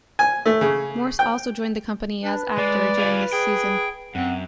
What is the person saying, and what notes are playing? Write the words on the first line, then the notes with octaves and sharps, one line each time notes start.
Morse also joined the company as actor during this season.
G#5
A3
C#3
G5
D4 B4
G#3 D5
F4 G#4
G#4 G5
F#2 C4 F#5